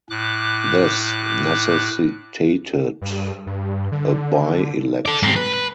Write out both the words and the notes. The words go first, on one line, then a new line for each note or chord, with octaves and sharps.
This necessitated a by-election.
A2 D6 F#6
G2
G2
D3
A4 D5
G#2 C4
B4
B4